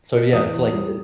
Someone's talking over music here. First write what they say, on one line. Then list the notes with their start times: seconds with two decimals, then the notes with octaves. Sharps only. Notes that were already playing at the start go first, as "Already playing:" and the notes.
so, yeah, it's, like, eh,
0.14 B2
0.33 E2 D#6
0.54 E2
0.73 G3